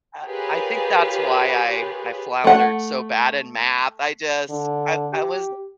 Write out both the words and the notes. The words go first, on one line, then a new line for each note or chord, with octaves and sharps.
uh, I think that's why I I floundered so bad in math, I just I I was, uh
F4 G4 G#4 A#4 B4 C#5
A3 F#5
D3
G4